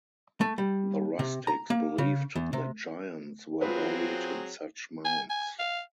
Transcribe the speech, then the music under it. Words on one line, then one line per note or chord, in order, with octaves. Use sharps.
The rustics believed that giants were buried in such mounds.
A3
G3
C3
A#5
A#3
C#3
E2
C3
F#3 C4 F4 G#4 B4
G#5
G#5
F5